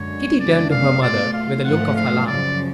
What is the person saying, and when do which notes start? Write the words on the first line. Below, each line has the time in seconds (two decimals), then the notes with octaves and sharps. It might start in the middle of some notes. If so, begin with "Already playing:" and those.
Kitty turned to her mother with a look of alarm.
Already playing: F#2 D3 G#3 C#5
0.40 F#2 C#3 G#3 B3 D4 D5
0.71 F5
1.02 B2 A3 F4 D5
1.33 F5
1.64 G#2 F3 A3 F4 F#5
1.96 F5
2.27 F#2 C#3 F3 D5